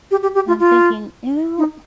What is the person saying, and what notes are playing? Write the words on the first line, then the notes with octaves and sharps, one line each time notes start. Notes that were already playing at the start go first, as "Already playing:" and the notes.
and I'm thinking, "Ew!"
G4
G4
G4
F4
F4
D#4